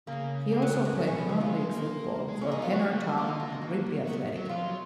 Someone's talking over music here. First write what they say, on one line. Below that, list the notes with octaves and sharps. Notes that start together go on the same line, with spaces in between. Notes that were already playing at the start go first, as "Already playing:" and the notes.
He also played non-league football for Heanor Town and Ripley Athletic.
C#3 A#3
A#3
F#3
F3
F#3
B2 C#4
B2 C#4
B3
C#3 D#4
D#3 F4
G#3
A#3
G#3
A#3 C#4
D#4
B3 F4
B3 F#4
A#3
B3
F#4
A#3 F4
D#4
F4
D#4
F#4
B3
F#3
F3 F4
F#3